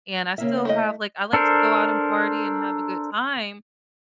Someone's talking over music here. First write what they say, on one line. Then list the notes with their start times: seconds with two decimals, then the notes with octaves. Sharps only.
and I still have like, I like to go out and party and have a good time,
0.38 C#3 A#3 E5
0.65 A3 E4 D#5
1.33 D4 A4 A#4 C5